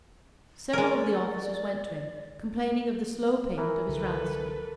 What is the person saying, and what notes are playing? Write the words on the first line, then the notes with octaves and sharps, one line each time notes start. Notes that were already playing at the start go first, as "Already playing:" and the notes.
Several of the officers went to him, complaining of the slow payment of his ransom.
G#3 A#4 D5
E3 A#4
C2 D3 F#3 A4 B4